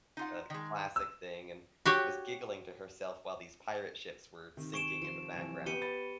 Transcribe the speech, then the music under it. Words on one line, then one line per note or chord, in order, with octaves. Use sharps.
uh, classic thing and was giggling to herself while these pirate ships were sinking in the background.
D#4 F4 F#5
D#3 G#3
E6
F#4 G4 C#5
C3 D#3
G#5 C#6 D7 E7
F3 C6
F#1 C3 E3
B3 G4 C#7 D#7 G7
B5 A6